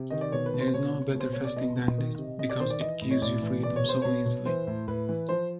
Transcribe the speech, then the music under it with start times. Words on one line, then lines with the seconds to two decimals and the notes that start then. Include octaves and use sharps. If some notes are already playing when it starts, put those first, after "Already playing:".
There is no better fasting than this because it gives you freedom so easily.
Already playing: C3
0.10 D#3 D#5
0.21 D5
0.32 B2 C#5
0.46 B4
0.54 B2
0.61 C5
0.74 B2 C#5
0.94 B2
1.15 B2
1.20 C5
1.33 B2 C#5
1.44 D5
1.56 B2 D#5
1.77 B2
1.98 D#3
2.18 C3
2.39 C3 D#5
2.50 D5
2.60 D#3 C5
2.70 D5
2.81 E3 D#5
3.01 A2
3.11 C#5
3.22 A2 D5
3.42 E3
3.63 B2 D5
3.76 C#5
3.84 B2 C5
4.02 B2 C#5
4.26 B2
4.46 E3 C5
4.67 A2
4.88 A2 B4
5.09 E3
5.29 F3 C5